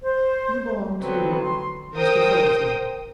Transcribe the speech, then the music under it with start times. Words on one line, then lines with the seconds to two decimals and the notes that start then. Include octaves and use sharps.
You belong to--Mr. Phillotson.
0.03 C5
1.01 D3 F#3 B3 C4
1.42 C6
1.95 A#4 C5 G5 D#6